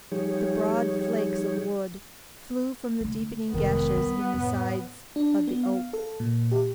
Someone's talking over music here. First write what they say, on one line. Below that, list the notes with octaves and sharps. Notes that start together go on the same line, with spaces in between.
The broad flakes of wood flew from the deepening gashes in the sides of the oak.
F3 G3 D#4 G4 G#4 C#5
D3 A3
F1 D#3 G#3 B3
G3 C4
F2 A2
D4
B3
F5
A4
A#2
G4